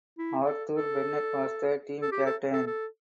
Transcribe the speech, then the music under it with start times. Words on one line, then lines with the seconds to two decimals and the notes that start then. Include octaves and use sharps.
Arthur Bennett was the team captain.
0.18 E4
0.45 A4
0.73 A4
2.02 A4
2.12 G4
2.26 A4
2.53 A4
2.67 A4